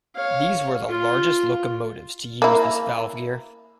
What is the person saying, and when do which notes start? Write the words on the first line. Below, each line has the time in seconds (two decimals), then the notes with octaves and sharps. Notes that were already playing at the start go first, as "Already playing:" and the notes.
These were the largest locomotives to use this valve gear.
0.15 C#5 F5
0.89 F4
2.42 A#3 E4